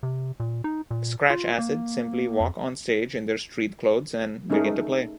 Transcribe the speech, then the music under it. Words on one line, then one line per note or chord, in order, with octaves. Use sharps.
Scratch Acid simply walk on stage in their street clothes and begin to play.
C3
A#2
D#4
A#2
F4
A#3
F2
A3 C#4 D#4 G#4 A#4